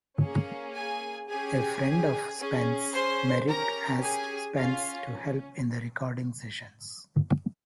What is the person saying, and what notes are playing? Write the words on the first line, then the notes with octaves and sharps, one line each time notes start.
A friend of Spence, Merrick asked Spence to help in the recording sessions.
A#3 C#4 G#4
G#4 G#5
C#4 G4 G#4 G#5
C#4 G#4
C5 C6
C#4 G4 A#4 A#5
G#4 G#5
C#4 F4 F5